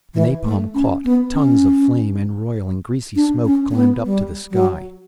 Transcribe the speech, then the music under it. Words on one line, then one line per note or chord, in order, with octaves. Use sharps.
The napalm caught, tongues of flame and roiling, greasy smoke climbed up to the sky.
E3
A3
C#4
B3
C#4
D4
C#4
C#4
B3
G3
F#3